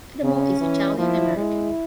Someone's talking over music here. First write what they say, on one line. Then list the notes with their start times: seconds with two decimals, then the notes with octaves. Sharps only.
Adamo is Italian American.
0.23 C#3 C#4
0.60 E3
0.98 F3 E4
1.36 G#3 E4